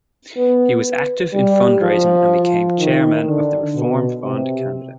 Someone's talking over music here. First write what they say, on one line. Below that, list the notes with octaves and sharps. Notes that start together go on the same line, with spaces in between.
He was active in fundraising and became chairman of the Reform Fund Canada.
B3
G3
F3
D#3
D3
B2
C3